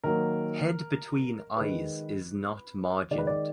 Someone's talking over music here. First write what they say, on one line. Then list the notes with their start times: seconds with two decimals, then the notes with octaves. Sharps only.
Head between eyes is not margined.
0.04 D#3 F#3 A#3 A#4
1.57 D#3 G#3 B4
3.11 D#3 G#3 D5
3.18 B4
3.27 D5